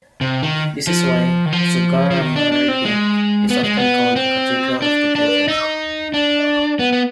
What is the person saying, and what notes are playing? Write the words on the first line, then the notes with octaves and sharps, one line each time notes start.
This is why Zugarramurdi is often called "The Cathedral of the Devil".
C3
D#3
F3
D#3
F3
F3
D#3
D4
D4
C4
G#3
B3
G#3
B3
C4
D4
D4
D#4
D4
B3
B3